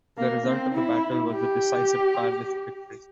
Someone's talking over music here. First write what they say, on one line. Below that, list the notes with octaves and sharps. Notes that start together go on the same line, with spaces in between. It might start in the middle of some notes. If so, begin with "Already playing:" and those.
The result of the battle was a decisive Carlist victory.
A#3
C4
E4
G4